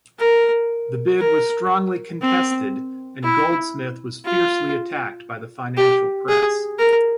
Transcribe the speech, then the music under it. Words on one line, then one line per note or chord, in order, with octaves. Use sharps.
The bid was strongly contested and Goldsmith was fiercely attacked by the financial press.
A#4
A#4
C4
E4
F4
G4
G#4
A#4